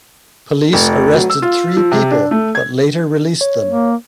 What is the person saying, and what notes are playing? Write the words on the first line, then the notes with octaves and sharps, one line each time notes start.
Police arrested three people, but later released them.
F1
F#3
E6
F4
F3
C3
D4
A3
G#6
C#5
A#3